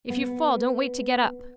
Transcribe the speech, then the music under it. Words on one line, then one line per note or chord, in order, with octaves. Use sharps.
If you fall don't wait to get up.
B3